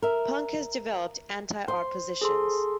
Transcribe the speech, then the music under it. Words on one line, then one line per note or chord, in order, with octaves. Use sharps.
Punk has developed anti-art positions.
A#4 E5
C5
G#4 A4 C6